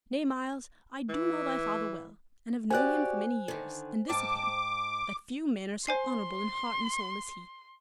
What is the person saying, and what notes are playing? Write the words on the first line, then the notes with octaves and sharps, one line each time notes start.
Nay, Myles, I do know thy father well, and have known him for many years, and this of him, that few men are so honorable in heart and soul as he.
E3
F#4 G4 C5 D5 G#5 F#6
D3 D#3
G#2 G5 A5 D6
C5 G#5 C6 C7